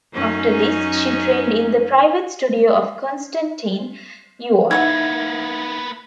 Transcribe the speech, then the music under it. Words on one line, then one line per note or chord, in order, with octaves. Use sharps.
After this, she trained in the private studio of Konstantin Yuon.
F#2 C#4 D#4
E3 A#3 B3 D#4 F#4 E5 F#5 G#6